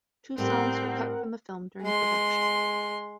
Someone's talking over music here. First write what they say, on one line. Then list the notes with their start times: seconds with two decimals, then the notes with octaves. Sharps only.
Two songs were cut from the film during production.
0.38 A2 G3 C4 A#4 F#5
1.82 G#3 C6